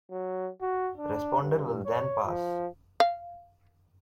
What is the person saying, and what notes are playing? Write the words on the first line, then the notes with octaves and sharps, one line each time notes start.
Responder will then pass.
F#3
F#4
D4
G2
C#5
F3
F5